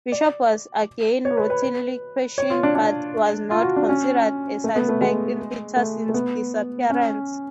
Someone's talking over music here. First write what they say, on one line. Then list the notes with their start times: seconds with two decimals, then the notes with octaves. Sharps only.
Bishop was again routinely questioned, but was not considered a suspect in Peterson's disappearance.
0.12 D5
1.25 C#5
1.37 B4
1.50 B4
1.62 B4
2.38 C#5
2.50 F4
2.63 D4
2.75 D4
3.51 F4
3.63 F#4
3.76 D4
3.89 C#4
4.64 A3
4.76 B3
4.89 A3
5.01 G#3
5.77 A3
6.09 A3
6.14 B3
6.90 C#4